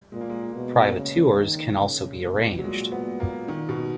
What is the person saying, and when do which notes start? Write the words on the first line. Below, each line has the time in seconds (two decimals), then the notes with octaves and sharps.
Private tours can also be arranged.
0.12 A#2 G#3
0.21 A#3
0.30 G#3
0.54 B2
0.96 C#3
1.38 D#3
1.80 C#3
2.22 B2
2.59 F#3
2.64 A#2 G#3
2.92 B3
3.20 A#3
3.48 D#3
3.69 B2